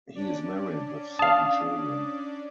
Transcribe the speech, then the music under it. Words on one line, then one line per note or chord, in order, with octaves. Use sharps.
He is married with seven children.
C#4 D4 D5
F5 A5 D#6